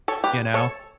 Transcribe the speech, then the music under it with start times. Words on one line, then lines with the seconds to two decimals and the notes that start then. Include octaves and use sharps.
you know,
0.08 A4 C#5
0.24 G4 B4
0.54 A4 C#5